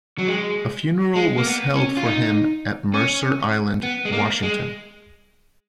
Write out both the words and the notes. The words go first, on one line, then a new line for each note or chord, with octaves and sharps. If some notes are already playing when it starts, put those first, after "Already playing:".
A funeral was held for him at Mercer Island, Washington.
F#3
G#3
G#3
A#3
B3
C#4
F4
D#4
C#4
B3
G#3
A#3
G#3